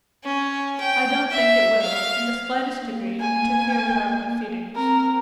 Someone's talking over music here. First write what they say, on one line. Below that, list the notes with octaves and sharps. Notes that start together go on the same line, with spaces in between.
I don't think it will, in the slightest degree, interfere with our proceedings.
C#4
G5
E5
F5
A#3
G#5
C4 A#4